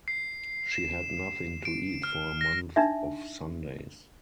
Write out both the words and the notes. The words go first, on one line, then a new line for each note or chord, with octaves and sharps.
She had nothing to eat for a month of Sundays.
C7
E7
D7
F6
A#6
D4 D#4 E5